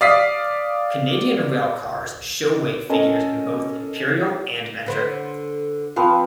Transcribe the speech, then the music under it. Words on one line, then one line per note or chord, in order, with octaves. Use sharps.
Canadian railcars show weight figures in both imperial and metric.
D5 F5 D#6 B6 C7
C#4 A4 A#4 D#5 G#5 A5
D3 B4 C5
F3 C4 B4 F5